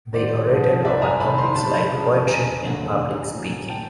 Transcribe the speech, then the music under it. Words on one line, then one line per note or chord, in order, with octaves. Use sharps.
They orated over topics like poetry and public speaking.
G#1 C5 D5
G#2 F3
C2 D5 E5
G#5 A#5
C3 D#3 A5 B5
A#5 C6
G1 A5 B5
F2 C#3 F3
E1 G#5 A#5
D#2 D3
A1
A2 F#3
G5 A5